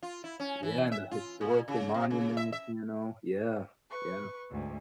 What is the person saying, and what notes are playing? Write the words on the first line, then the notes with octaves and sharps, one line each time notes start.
Yeah, and the historical monuments, you know, yeah, yeah.
F4
E4
C#4
E3
E5
F4
A#2
C#3
C3
C#3
E5
E5
B4 C#6
D2 G#2